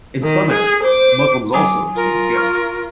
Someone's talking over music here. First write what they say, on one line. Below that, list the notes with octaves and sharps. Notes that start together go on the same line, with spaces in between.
In some areas Muslims also exchange gifts.
D#3
G#4
C5 D6
F#3 G#5 D6 D#6
F4 A#4
C#6 F6